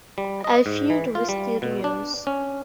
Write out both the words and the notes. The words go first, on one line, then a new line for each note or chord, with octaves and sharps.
I feud with studios.
G3
D#5
G#2
E3
F4
G3
B2
D4
C#4